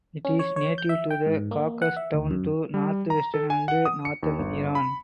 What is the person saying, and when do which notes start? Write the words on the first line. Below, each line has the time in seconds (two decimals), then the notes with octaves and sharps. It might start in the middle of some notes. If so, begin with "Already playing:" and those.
It is native to the Caucasus down to north western and northern Iran.
0.25 C#4
0.39 C#5
0.56 C#5
0.78 G6
0.89 E5
1.11 G5
1.26 G#2
1.51 A#3
1.82 F#5
1.97 E5
2.14 D2
2.31 F#2
2.74 G3
3.10 A#5
3.34 A4
3.50 G#5
3.68 F#5
3.85 D#6
4.05 C#7
4.23 D#2
4.39 G1
4.75 B5